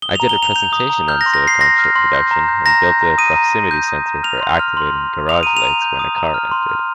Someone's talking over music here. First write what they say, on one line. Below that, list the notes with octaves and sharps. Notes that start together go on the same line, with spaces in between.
I did a presentation on silicon chip production and built a proximity sensor for activating garage lights when a car entered.
D#6 G7
A#5 F7
G7
A#5 F7
G6 F7
D#6
A#5
F6 G6
A#6
C6
A#6
F6 C7
C6 A#6
F6
C6
G6
A#5
G6
A#5 A#6
G6
A#5
D#6 D#7
A#5
A#5
G6
D#6
A#5
F6 F7
C6
F6
C6
F6
C6
D#6 F7
A#5 D#7
F7
A#5
G6
D#6
A#5
F6
C6
F6